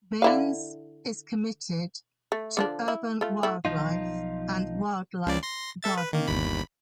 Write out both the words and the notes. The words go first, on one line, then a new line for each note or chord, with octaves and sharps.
Baines is committed to urban wildlife and wildlife gardening.
D3 E4 F5
A3
D3 F3 D4
E4
A3 F4
A3 E4
B1 F2 F3 D#4 F4
C#2 C#3 D5
C6 A#6
A4 E5 A6
B4
D#3 A#3
G1 D#2 B5